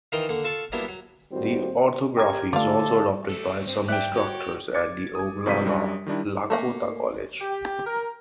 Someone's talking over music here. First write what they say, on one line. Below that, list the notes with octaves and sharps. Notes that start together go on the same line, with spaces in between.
The orthography is also adopted by some instructors at the Oglala Lakota College.
D#3 E3 F4 A#4 G5 D#6
D3 A#3 F#5
F4 A4 A5 C#6
F#3 G3 A#3 B3 D4 E4
F#3
A2 D#3 G3 C4 E4 F#4
G4 A#4 G#6
D3 A3 F4 G4 A4 D5 F5
A3 D4 A4
G2 C4
D5 E5 G5 F#6
F#4 G4 C#5
D6 G#6 A6 C#7
D#6 G#6
F2 G#2 C3 B6 D#7
F#2 G3 D4
D#3 G3 D4 E4
A3 A#3 F#5
G4
A#4